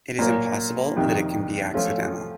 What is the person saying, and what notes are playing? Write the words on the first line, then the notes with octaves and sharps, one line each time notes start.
It is impossible that it can be accidental!
A#2 F#3 A#3
F2 C3 D#3
F3 A3 C#4 F4